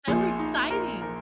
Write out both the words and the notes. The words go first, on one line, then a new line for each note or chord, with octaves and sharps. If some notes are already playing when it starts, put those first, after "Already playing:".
so exciting,
A#1 A#2 F3 G#4
D#4
A#4
A#4